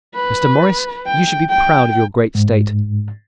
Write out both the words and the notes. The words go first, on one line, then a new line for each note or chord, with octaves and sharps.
Mr. Morris, you should be proud of your great state.
B4
G5
G5
G#2